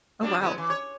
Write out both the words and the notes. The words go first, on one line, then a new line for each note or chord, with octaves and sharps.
Oh, wow.
F#3 G3 D4
G#3 B3 E4
E3
C#5